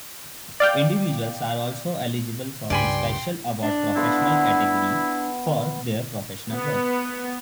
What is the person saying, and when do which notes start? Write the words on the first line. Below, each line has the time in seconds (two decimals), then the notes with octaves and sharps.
Individuals are also eligible for the Special Award-Professional category for their professional work.
0.60 D5 F5 G5
2.70 C#2 G2 G4 D5 G5 G#5 B5 C6
3.63 D4
3.96 B3 E4 F#5 C6
6.51 B3